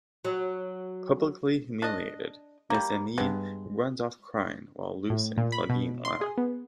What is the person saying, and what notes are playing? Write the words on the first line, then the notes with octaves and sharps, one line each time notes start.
Publicly humiliated, Miss Aimee runs off crying while Luce and Claudine laugh.
F#3
D4 D#5
G3 A#3
G2 G#3 B3
A2
A#2
B5
B2
C6
G#4
B3